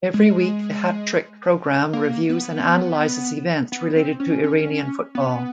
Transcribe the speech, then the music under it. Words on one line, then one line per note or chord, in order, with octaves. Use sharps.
Every week the Hattrick program reviews and analyzes events related to Iranian football.
G#3
A#3
B3
B3
C4
C#4
C#4
B3